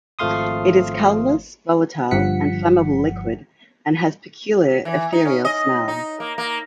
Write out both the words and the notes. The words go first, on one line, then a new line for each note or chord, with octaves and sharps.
It is colorless, volatile, and flammable liquid and has peculiar ethereal smell.
G#1 F3 A3 F5 C6 D#6
G1 G2 F3 F#5 B6 C#7
E3
D#4
C#4
D#5
D#4
A#3
A#3